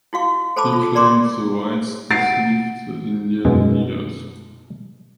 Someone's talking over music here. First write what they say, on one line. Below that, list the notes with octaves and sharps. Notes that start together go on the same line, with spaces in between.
He claimed the whites deceived the Indian leaders.
E4 F#4 F5 C#6
A4 C5 A5 B5 D6 E6
F4
D5 A#5 C6 D6
F#5 A6 C7 D7
F#2 B2 G#3